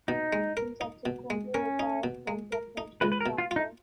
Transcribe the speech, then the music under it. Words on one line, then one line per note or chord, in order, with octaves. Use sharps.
He subsequently retired from professional soccer.
B2 D#4
G#3
A#4
D#4
B2
G#3
C#4 A#4
D#4
B2
G#3
A#4
D#4
C#2 B4
B4
A#4
B2
F4
F4
D#4